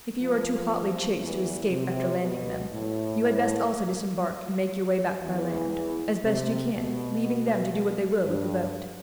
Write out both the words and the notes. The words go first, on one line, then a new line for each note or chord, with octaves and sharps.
If you are too hotly chased to escape, after landing them, you had best also disembark; and make your way back by land, as best you can, leaving them to do what they will with the boat.
F2 F3
E2 E3
C3
B2
A2
A2
E2 E3
C3
B2
G2